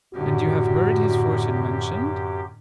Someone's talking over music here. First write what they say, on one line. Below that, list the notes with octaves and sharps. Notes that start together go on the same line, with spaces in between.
"And you have heard his fortune mentioned?"
F#2 A2 D3 F#4 G4